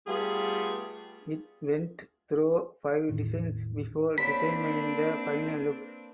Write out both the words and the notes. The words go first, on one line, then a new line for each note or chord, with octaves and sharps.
It went through five designs before determining the final look.
G3 A3 B3 F4 G4 G#4
G1 E2 A2 D#3
A#3 C4 D4 B4 C5 B6